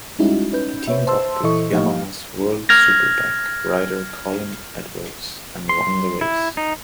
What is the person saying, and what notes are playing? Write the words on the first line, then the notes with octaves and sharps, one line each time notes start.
He teamed up with Yamaha's World Superbike rider Colin Edwards and won the race.
G3 G#3 C#4 D#4 E4 F#4
C#4 D#4 B4 G6
B4 C#5 E5
C5 A5 C6 E6
A#2 E3 E4 A4 D#5 C#6
F3 A#3 D#4 G4 D#5 F5
F6 G#6 A#6
C6
E4
D#4